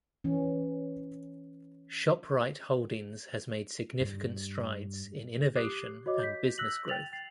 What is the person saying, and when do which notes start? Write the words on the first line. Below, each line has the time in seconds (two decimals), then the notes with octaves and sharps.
Shoprite Holdings has made significant strides in innovation and business growth.
0.24 E3 C#4
4.01 G2
5.56 G4 D6 D#6 F#6 C7
6.06 F#4 C#5 D#5 D6
6.20 G6 B6
6.58 E6 F#6 G6 A#6 B6 F#7
6.88 G5 A6 F7 F#7
7.13 A6 C7